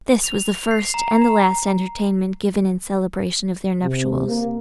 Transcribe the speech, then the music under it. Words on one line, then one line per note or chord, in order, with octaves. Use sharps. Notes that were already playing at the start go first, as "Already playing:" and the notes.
This was the first and the last entertainment, given in celebration of their nuptials.
F7
C7
A#5
A#5
C3
A#3